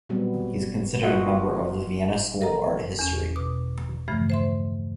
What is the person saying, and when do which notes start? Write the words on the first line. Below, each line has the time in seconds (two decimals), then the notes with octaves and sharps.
He is considered a member of the Vienna School of Art History.
0.09 A#2 F#3 G3 B3 C4
1.03 A#3 F4 F#4 D#5 E5 F#5
2.41 A4 A#4 D#5 A#5
2.99 E2 C#4
3.36 B2 D6
4.08 G2 C#3 E3 F3 A3
4.30 C5 E5 C6